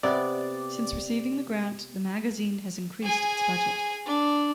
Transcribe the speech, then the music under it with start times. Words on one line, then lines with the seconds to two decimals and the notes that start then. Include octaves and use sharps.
Since receiving the grant, the magazine has increased its budget.
0.03 C3 B3 D5
3.03 G#4 G#5
4.06 D4